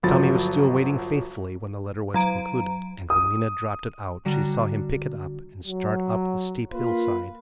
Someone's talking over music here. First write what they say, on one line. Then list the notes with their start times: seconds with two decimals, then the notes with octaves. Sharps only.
Tommy was still waiting faithfully when the letter was concluded, and when Lena dropped it out she saw him pick it up and start up the steep hillside.
0.03 G1 F3 F#3 B5 A6
2.14 F#3 A#5 D7
3.10 D#6
4.25 D3 G3 D4 F#4 A#5
5.65 F#3
6.72 A#3 F4 B4